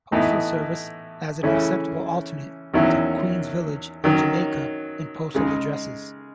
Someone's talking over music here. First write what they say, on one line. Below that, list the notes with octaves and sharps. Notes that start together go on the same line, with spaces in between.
Postal Service as an "acceptable alternate" to Queens Village and Jamaica in postal addresses.
A2 E3 B3 D#4
C#3 E3 A3 C#4 E4
E2 D#3 F#3 C#4 E4
D#3 F#3 C#4
C#3 G#3 D#4